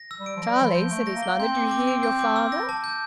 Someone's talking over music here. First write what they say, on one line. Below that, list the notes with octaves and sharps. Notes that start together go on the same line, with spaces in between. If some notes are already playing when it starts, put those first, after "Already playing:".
"Charlie," said his mother, "do you hear your father?"
Already playing: A#6
E6
G3
D7
F3
G3 A#6
E3 G7
F3
G6
A3 D7
A#6
A#3
G7
C4 G6
D6
D6
D7
G6
D6
E6
A#6
A5
G6